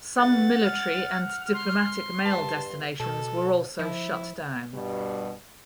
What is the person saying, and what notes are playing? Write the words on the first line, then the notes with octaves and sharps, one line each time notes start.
Some military and diplomatic mail destinations were also shut down.
E2 G2 F#5 A6
F6
C6
G2 A5
B2 A4
F3 E4
G2 B2 G3